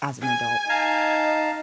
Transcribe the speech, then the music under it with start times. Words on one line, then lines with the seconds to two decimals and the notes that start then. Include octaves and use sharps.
as an adult."
0.21 G#5
0.69 D#4 F5 A5 A#5